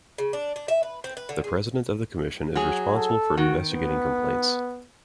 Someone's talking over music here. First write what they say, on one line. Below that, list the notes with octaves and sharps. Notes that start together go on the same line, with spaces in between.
The President of the Commission is responsible for investigating complaints.
C#3
D4
D4
E5
B4
C4
B4
D3
G#4
F#3 G#4
A4
D#3 F#4
B3